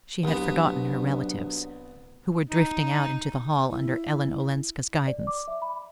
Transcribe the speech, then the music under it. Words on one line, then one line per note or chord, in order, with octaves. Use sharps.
She had forgotten her relatives, who were drifting out into the hall under Ellen Olenska's guidance.
C2 F#3 B3 D4
D#4
E4
D5
D6
E5
B5